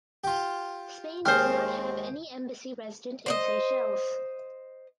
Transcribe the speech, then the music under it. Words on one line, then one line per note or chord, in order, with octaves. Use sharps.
Spain does not have an embassy resident in Seychelles.
F4 G4
D#2 G#3 G4 C5 F6
C5 D5 D#5